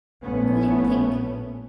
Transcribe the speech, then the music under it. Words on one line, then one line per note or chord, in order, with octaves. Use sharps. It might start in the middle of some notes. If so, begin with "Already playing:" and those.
Only think!
A#1 A#2 A3 B3 C#4